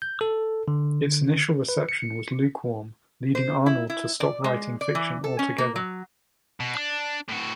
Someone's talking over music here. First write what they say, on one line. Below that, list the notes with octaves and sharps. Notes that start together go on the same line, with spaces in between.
Its initial reception was lukewarm, leading Arnold to stop writing fiction altogether.
G6
A4
D3
B4
C#7
C5
E4
E4
D5
G#3
D5
E3
A4
C#4
A#3
F#3
B2
D4
A2 F#4